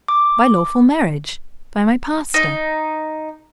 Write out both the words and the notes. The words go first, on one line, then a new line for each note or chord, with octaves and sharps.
"By lawful marriage, by my pastor."
D6
D#4